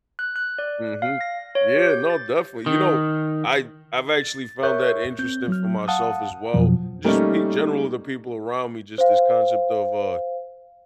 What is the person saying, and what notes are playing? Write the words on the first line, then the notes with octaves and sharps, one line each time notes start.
Mhm. Yeah, no, definitely, you know, I I've actually found that interesting for myself as well, just pe general the people around me, just this concept of, uh, I
F#6
F#6
D5
F5
A#6
C#5
G4
G6
A6
D#3
A6
A#4 C#5 E5 C#6 F#6 G6
C4 G6
F#3 F6
F5 F#5 A5 D#6
F2 B2 F3 F#3
G3 A3 A#3 C#4 D#4
C5 F5